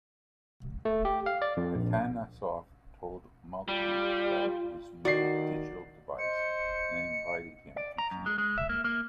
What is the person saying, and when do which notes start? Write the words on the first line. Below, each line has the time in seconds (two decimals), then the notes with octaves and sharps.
Atanasoff told Mauchly about his new digital device and invited him to see it.
0.85 A3
1.05 G4
1.26 F5
1.42 D5
1.57 F2
1.75 A#1
3.68 G3 F4
5.05 D#3 F#4 D5 C7
6.18 C5 D#5 C#7
7.76 D5
7.98 A#5
8.11 F#2
8.26 G#3
8.38 G#3
8.58 E5
8.69 A#3
8.84 A#3